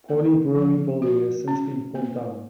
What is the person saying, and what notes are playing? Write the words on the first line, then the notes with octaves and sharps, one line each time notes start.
Pauli brewery building has since been pulled down.
A#3
F3
F#4
C#4
A#3